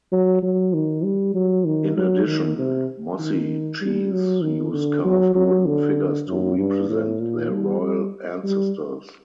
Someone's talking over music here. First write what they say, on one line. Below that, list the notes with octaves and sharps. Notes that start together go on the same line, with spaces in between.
In addition, Mossi chiefs use carved wooden figures to represent their royal ancestors.
F#3
F#3
D#3
G3
F#3
D#3
F#3
D#3
C3
D#3
G3
F#3
D#3
D3
F#3
F#3
D3
F#2
G2
A2
A#2
G3
G3
G3